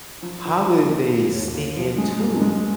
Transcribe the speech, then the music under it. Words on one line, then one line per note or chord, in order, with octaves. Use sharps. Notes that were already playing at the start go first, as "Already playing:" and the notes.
how do they sneak into
F3
F3
F3
A#3
F3
D#2
A#3
F3
G#3
G2
G#3